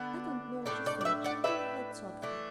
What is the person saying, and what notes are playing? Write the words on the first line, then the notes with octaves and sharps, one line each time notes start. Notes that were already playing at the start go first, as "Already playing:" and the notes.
"I don't know," she said, shaking her head thoughtfully.
Already playing: D3 B3 D4
A2 A3 D4 A4 D5
A4 D5
D5
B4 E5
D5 F#5
A2 A3 D4 B4 E5
E3 A3 D4